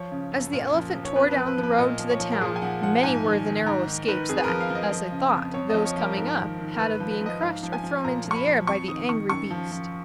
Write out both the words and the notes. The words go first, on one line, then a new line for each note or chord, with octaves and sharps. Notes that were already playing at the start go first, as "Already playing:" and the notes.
As the elephant tore down the road to the town many were the narrow escapes that, as they thought, those coming up had of being crushed or thrown into the air by the angry beast.
Already playing: F3 C#5
C#3
F#2
A#2
F3
F3
C#5
F2 B4
B4
F3
B4
F3
B4
A#2 D#5
F3
C#5
F3
A#4
A#2 G#4
G#5
F3 F#5
F3 F#5
G#2 G#5
D#3
D#3
G#2 A#5
D#3
D#3 B4
F2 G#4
B4
A#4
F3
F5
F3 D#5
F3
C#3
F2
F2 C#5
F3 D#5
C#5
F3 A#4
G#2 A#4
D#3
D#3
A#4
G#2 B4
F3
B4
F3 D#5
G#2 F5
F3
G#5
F3
A#2 A#5
F3
C#6
B5
F3
F2 C#6
D#3 D#6
D#3 C#6
F#2 C#6
F3
F3